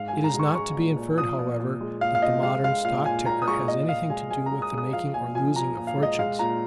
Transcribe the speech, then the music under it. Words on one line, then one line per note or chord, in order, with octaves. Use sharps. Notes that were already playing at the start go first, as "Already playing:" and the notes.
It is not to be inferred, however, that the modern stock ticker has anything to do with the making or losing of fortunes.
Already playing: G#2 G#3 F5
G#5
G#3
A#5
G#3
C#6
G#3 C#6
A#2
A#2
F3 D#6
A#2
A#2
G#3
A#2 F5
F5
A#2 D#5
G#3 F5
G#3 F5
A#2 F5
A#2 G#5
A#2 A#5
D#6
G#3 C#6
A#2 D#5
A#2 F5
G#3 G#5
G#3 G#5
A#5
G#3
D#6
G#3
D#6
F3 F5
A#2 G#5
F3 G#5
F3 A#5
A#2
F5
G#3 D#5
G#3 F5
A#2 A#5